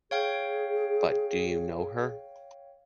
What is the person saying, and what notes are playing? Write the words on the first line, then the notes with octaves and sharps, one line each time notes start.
But do you know her?
G#4 C#5 F5 G5